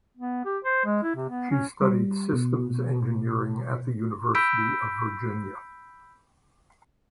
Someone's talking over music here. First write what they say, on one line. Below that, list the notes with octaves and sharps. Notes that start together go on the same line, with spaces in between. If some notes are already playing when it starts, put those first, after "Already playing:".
She studied systems engineering at the University of Virginia.
B3
G4
C5
G#3
E4
C3
B3
C#4
G3
B2
B5 E6 G6 B6 D7